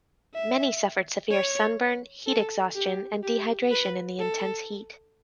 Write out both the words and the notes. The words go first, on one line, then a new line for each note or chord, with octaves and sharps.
Many suffered severe sunburn, heat exhaustion and dehydration in the intense heat.
E5
C#5
A4
G4
G4
B4
A4